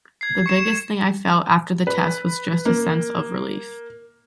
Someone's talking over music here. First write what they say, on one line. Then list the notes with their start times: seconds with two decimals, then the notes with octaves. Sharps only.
The biggest thing I felt after the test was just a sense of relief.
0.21 G#6 C7
0.46 C#6 C#7 E7
1.87 B4
2.66 A#3